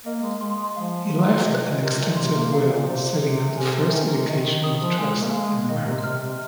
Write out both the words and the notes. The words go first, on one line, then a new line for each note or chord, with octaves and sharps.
He left an extensive will, setting up the first educational trust in America.
A#3 D#5
G#3
G#3 C6
G#3
F3 F5
D#3 C6
C3 D#5
A#2
C3 A#4
A#2
C3 C6
A#3
C3 F5
A#2
C3 C5
C3 G#4
C3 G#5
C3
D#3 A#4
C3
D#3 D#5
D#3
D#3 D#6
F3
G#3 G#5
A#3
G#3 F5
D#3 D#5
C3
C3 F6
C3